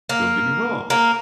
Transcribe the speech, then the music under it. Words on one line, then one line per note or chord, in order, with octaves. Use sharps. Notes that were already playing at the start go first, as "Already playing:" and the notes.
don't get me wrong,
A#3
A#3